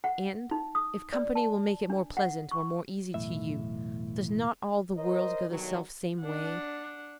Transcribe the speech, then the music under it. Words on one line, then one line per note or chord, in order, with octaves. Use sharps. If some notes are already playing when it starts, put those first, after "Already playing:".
And, if company will make it more pleasant or more easy to you, does not all the world go the self-same way?
F#5
D#4
D#6
D5
A5
D4
F#5
C#6
B1 E2 A2 E5
A#4 C5 C#5 D#5
B1 G2 B2 D#3 F#3
D4 F#5